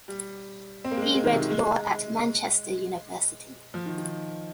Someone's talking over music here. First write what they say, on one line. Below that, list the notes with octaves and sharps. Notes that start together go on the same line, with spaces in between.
He read law at Manchester University.
G3
C4
A#3
G#3
A#3
G#3
D#3
C3
D#3
G#3
F3
D#3
D#3